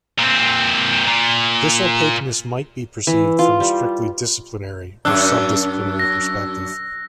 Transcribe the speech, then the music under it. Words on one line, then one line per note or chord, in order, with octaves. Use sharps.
This opaqueness might be perceived from a strictly disciplinary, or sub-disciplinary perspective.
A#2 C4
A#2
E3
F4
G3
F#2 D4 E6 F#6
A#6